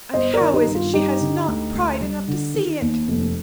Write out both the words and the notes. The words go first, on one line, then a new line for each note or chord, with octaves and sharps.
And how is it she has not pride enough to see it?
G1 C5 D#5
A#4 D5
D#3
D#4 G4
G2
F4
G3 D#4 G4
D3
D2
D2
G3
D3
D#3
D#2
F1